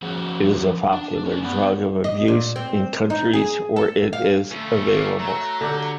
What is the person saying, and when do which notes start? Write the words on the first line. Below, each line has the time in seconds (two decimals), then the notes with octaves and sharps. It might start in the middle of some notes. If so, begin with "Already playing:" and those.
It is a popular drug of abuse in countries where it is available.
0.02 F3 F#3 C#4 F#4 G#4
0.92 D4
1.26 C#4 D4
1.44 B3 D5 F#5
2.04 D#5
2.28 A#2
2.56 C4
3.10 D#4
3.33 G#4
3.76 A4
4.13 F5
4.51 D2 C#3 A3
4.85 G3 A#3
5.19 F#3 A#5
5.61 D3 G4